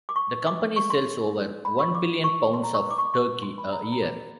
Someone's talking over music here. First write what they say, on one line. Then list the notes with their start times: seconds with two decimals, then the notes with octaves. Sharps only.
The company sells over one billion pounds of turkey a year.
0.09 D6
0.16 C#6
0.47 D6
0.76 C#6
0.90 C6
1.65 B5
1.79 C#6
1.95 D6
2.24 C#6
2.53 C6
2.64 A#5
2.74 C#6
2.91 D6
2.98 C#6
3.05 D6
3.14 C#6
3.43 C6
3.58 B5
3.72 A#5
3.83 B5
3.92 A#5
4.02 D6